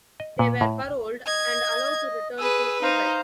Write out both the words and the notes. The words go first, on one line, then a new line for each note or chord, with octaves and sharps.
They were paroled and allowed to return to Quebec.
D#5
A#2
A2
D#5 G#6
G#4 B4 E6
D#4 C5 F5 A#5